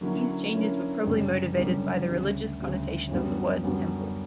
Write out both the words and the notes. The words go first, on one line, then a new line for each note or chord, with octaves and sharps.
These changes were probably motivated by the religious connotation of the word "temple".
D3 F#3 A#3 C#4 E4
D3 F#3 A#3 C#4 E4
F#1 F#2 D3 G3
F#1 F#2 D3 G3
D2 C#3 G3
D2 C#3 G3
F#2 D3 G3 B3 F#4
F#2 D3 G3 B3 F#4